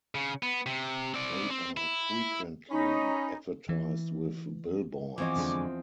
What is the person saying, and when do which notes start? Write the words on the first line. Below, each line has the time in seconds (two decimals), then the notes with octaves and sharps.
They are frequently advertised with billboards.
0.15 C#3
0.43 B3
0.66 C3
1.14 C4 D5
1.50 C4
1.77 E4
2.70 C#4 D#4 B5
3.69 E3
5.18 E2 F3 C4 D#5 G#5 C#6 D6
5.36 F2 D3 G#3